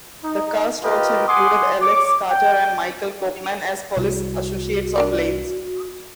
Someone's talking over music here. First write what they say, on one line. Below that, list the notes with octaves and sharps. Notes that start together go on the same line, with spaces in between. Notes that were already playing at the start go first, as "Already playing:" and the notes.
The cast also included Alex Carter and Michael Copeman as police associates of Lane's.
D#4
F4 G4 A#4 B4 D#5
F#5 G#5 C6 D6 D#6
C#5 D6
G5
C2 F#4
D4 A#4 D5